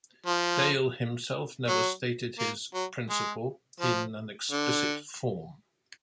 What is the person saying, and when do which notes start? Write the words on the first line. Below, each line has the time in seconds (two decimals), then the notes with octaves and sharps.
Dale himself never stated his "principle" in an explicit form.
0.26 F3
1.68 F#3
2.39 A#3
2.74 F#3
3.10 G#3
3.80 F3
4.51 D3